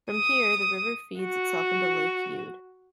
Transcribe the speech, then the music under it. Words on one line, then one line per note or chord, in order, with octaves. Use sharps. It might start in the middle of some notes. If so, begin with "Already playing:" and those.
From here the river feeds itself into Lake Youd.
D#6
F#4